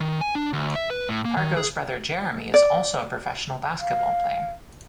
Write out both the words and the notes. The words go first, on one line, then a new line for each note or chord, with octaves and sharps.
Pargo's brother, Jeremy, is also a professional basketball player.
D#3
G#5
D4
D2
E5
B4
A2
A#3
D#3
G#4
D5
F5